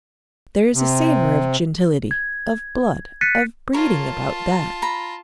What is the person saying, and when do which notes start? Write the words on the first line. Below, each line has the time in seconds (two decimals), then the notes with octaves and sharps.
There is a savor of gentility, of blood, of breeding, about that.
0.74 C3
2.11 G#6
3.21 F#6 A6 B6 C#7 D#7
3.73 F4 A#4 C#5 A5
4.82 A#5 B5